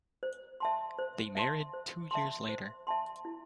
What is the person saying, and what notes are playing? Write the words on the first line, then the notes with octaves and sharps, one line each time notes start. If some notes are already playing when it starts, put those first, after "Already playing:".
They married two years later.
C5
E5 A5 C6
C5
E5 A5 C6
C5
E5 A5 C6
C5
E5 A5 C6
E4